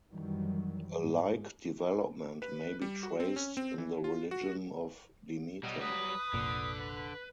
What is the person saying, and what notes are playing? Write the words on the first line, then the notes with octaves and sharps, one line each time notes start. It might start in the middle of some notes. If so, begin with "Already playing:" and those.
A like development may be traced in the religion of Demeter.
F#2 D#3 E3 F#3 G3
G#2 G#3
B4
G3
F#4
C4
C#4
C4
E3
F4
F#4
B2 F#3 G3 D#5
B4 D#6
F1 A#1 A#2 D3